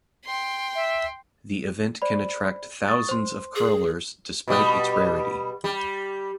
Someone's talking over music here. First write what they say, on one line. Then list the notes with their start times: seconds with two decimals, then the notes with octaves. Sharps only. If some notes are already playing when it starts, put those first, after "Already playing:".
The event can attract thousands of curlers despite its rarity.
0.25 G5 C6
0.75 E5
2.02 C5 D5 B5
2.88 C#6 D#6 A6
3.09 C5 C6
3.56 G#4
4.48 B2 G3
5.64 G3